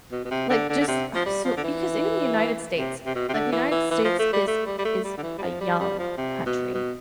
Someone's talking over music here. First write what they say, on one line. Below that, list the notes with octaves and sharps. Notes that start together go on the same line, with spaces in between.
Like, just ugh, so because even the United States like, the United States is is a young country
B2
B2
C3
D3
D3
D3
C3
F3
G3
F3
D3
E3
C3
C3
B2
C3
D3
E3
E3
E3
F3
A3
G3
A3
G3
G3
A3
G3
D3
E3
G3
F3
G3
G3
F3
C3
B2
B2